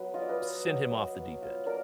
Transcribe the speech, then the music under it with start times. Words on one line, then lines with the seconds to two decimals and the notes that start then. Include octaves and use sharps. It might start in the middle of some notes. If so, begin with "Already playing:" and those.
sent him off the deep end.
Already playing: F#3 B3 B4
0.14 F4 D#5
0.21 D5
0.29 B4 D#5
0.40 F#3
0.65 F#3
0.90 F#3 B4 D#5
1.16 B3
1.42 F4
1.66 A#3 A#4 D5